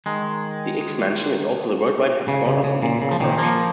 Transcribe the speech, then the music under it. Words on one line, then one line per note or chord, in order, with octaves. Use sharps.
The X-Mansion is also the worldwide headquarters of the X-Corporation.
D#3 G#3
C#3
C#3
C#3
A#2
C#3
F3
A#2 D#3
F3 A#3